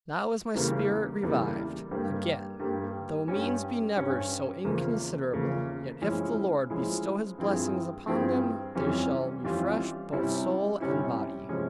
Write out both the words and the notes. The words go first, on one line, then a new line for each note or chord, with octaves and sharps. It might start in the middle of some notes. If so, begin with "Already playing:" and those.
Now is my spirit revived again; though means be never so inconsiderable, yet if the Lord bestow His blessing upon them, they shall refresh both soul and body.
E2 C#3 G3 A#3 E4
E2 C#3 G3 A#3 E4
G2 G3 A#3
G2 G3 A#3
G2 G3 C#4
G2 G3 C#4
E2 C#3 F3 A#3
E2 C#3 F3 A#3
F3 G#3 C#4 E4
F3 G#3 C#4 E4
G2 F3 C4 E4 G#4
G2 F3 C4 E4 G#4
F2 E3 G3 C#4 F4
F2 E3 G3 C#4 F4
C3 G3 C#4 E4
C3 G3 C#4 E4
C3 F3 G#3 C#4